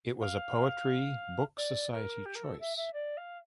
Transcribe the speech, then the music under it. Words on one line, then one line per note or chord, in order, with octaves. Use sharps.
It was a Poetry Book Society Choice.
F5
D5
A#4
G4
A#4
A4
E5
E5
D5
F5